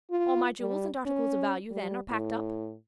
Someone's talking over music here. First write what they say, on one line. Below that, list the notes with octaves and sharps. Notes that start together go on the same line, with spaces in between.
"All my jewels and articles of value, then, are packed up?"
F4
G3
C#4
G3
A2